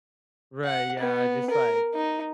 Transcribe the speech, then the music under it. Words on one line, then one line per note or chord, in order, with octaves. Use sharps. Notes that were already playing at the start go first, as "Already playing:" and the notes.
Right, yeah, just like
F#5
B3
A#4
D#4